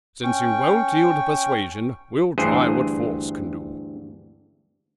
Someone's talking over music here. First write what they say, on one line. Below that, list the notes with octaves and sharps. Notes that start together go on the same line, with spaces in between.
'Since you won't yield to persuasion, we'll try what force can do.
C#4 G5 C#6
D2 G2 E3 G#4 C5